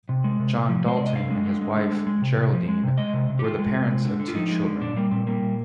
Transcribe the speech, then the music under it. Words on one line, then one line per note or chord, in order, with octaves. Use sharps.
John Dalton and his wife Geraldine were the parents of two children.
C3
G#3
C3
C3
F3
G#3 C5
C3 D5
D#5
D3 F5
G#3
D3
G#3
D3
G#3
G#3
C3
C3
F3
G#3
C3
G#3 D#5
C3
C3
G4
D#3 F4
G#3
C3
G#3
D3
D3
F4
F3 D#4
G#3
D3
A#2 D4
G3 A#3
A#2 C4
G3 A#3
A#2